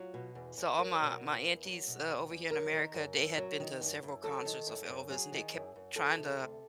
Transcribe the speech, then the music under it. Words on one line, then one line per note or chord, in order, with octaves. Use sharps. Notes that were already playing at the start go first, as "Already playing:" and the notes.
So all my my aunties, uh, over here in America, they had been to several concerts of Elvis and they kept trying to uh,
Already playing: F#3 F4
B2
E2
E2
F#3 A#4
B2
E2
E2
F#3
B2
E2
E2
F#3 A#4
D#3
F#2
F#2
F#3
D#3
F#2
F#2
F#3 A4
D#3
F#2
F#2
F#3 G#4
D#3
F#2
F#2
F3 A4
C3
D2